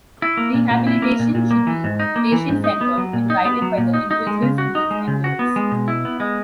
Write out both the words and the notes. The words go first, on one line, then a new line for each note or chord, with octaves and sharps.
Rehabilitation should be patient-centered and guided by the individual's needs and goals.
E4
A#3
A#2
A#2
E4
A#3
A#2
A#2
A#3
E3
G#2
D#4
A#3
E3
G#2
D#4
B3
F#3
A#2
D#4
B3
F#3
A#2
D#4
D#4
G#3
C#3
F#4
D#4
G#3
C#3
F#4
B3
G#3
B2
E4
B3
G#3